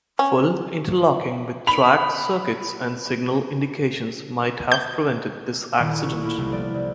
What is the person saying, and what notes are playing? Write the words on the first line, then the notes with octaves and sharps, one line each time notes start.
Full interlocking with track circuits and signal indications might have prevented this accident.
C#4
B5 F7
G6
D#1 A#2 D#3 E4 A4
C#6
A3 A#3 E4
F1 C2 C3
F3 B3 D5
C2